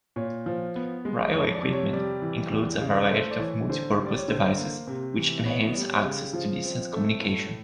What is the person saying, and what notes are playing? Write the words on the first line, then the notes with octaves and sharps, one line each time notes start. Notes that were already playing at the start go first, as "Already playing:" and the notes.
Braille equipment includes a variety of multipurpose devices, which enhance access to distance communication.
A#2 C#5
F3
B3
G#3
F2 C#5
D5
C3
C#5
G3 D5
E3
E2
C#3
A3 C5
D5
E3 C#5
D3 C5
G3
D5
C#5
D3 C5
A#3
C3
E3
B3 C#5
G3
C#3
F3
C4
A3
A2